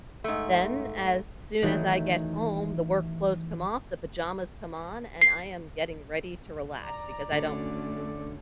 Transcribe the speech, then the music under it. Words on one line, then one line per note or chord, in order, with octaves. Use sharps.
then as soon as I get home, the work clothes come off, the pajamas come on, and I am getting ready to relax because I don't
G#2 A3
D#3 E3 F#3 A3
C7
D5 A#5
D3 A3 C#4 F#4